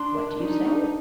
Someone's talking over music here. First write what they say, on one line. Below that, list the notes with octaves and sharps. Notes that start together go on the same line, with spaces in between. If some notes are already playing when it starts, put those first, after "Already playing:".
"What do you say?"
Already playing: D4 C6
A#4
D4 D#4
D4